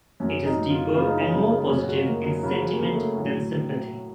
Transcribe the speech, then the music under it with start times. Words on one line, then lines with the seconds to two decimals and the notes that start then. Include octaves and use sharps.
It is deeper and more positive in sentiment than sympathy.
0.20 F#2 C#4
0.45 D#4
0.57 F#2
0.70 F4
0.94 C#3 F4
1.06 D#4
1.17 C#4
1.27 C#3 D#4
1.69 F#2 C#4
1.83 F#4
1.88 F4
2.05 F#2 A#3
2.24 F#3
2.43 C#3 F#3
2.67 A#3
2.81 C#3
2.93 A3
3.17 A2 F#3